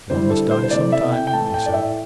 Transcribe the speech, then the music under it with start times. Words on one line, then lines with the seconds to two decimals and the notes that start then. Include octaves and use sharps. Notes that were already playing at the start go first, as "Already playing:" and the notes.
"One must die sometime," he said.
0.10 D3 G3 E4 C5
0.30 A4
0.51 C5
0.64 C5
0.71 C3 A3 E4 D5
0.92 E5
1.12 G5
1.27 G5
1.33 A2 E3 A3 A5
1.54 G5
1.66 D5
1.73 E5